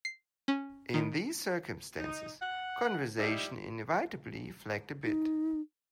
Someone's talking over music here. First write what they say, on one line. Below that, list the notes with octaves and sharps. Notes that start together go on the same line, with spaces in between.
In these circumstances, conversation inevitably flagged a bit.
C7
C#4
D#3
D#4
F#5
F3 G3 D#4 E4
D#4